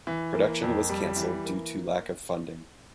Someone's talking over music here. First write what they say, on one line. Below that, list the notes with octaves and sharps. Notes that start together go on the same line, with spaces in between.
Production was cancelled due to lack of funding.
E3
A#3
F2
G3
E3
A#3